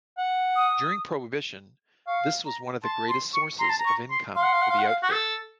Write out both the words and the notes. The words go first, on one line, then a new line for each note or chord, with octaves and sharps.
During prohibition, this was one of the greatest sources of income for the Outfit.
F#5
D#6
F5 C#6
A#5
A5 C6
C6
C#6
A#5 C6
A5
A#5
C#6
C6
F5 C6
F#5
F5
F#5
F5
F#5
F5
F#4
A4